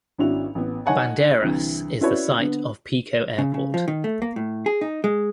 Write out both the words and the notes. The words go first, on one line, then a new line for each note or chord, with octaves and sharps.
Bandeiras is the site of Pico Airport.
G#1 C#4 D4 E4 F#4 F7
A1 B3
D#4 C#5 D#5 F#5 G#5 A5
C2 D3 E3
C#4 E4 F#4 B4 C#5 D5
D3 B3
C#3
C#3
F3
D#3
A3
A#3
A2
G#4
D#4
G#3